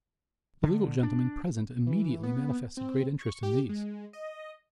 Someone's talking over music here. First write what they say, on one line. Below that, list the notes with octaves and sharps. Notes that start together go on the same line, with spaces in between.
The legal gentlemen present immediately manifested great interest in these.
D3
D4
E3
B3
C4
C#6
G4
G#3
D#5